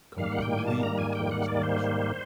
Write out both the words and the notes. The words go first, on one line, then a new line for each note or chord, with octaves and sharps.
completely tore his hamstring.
G#2 D#3 G3 A#3 F5
F#5
G5
G#5
A5
A#5
G#5
G5
F#5
D5
C5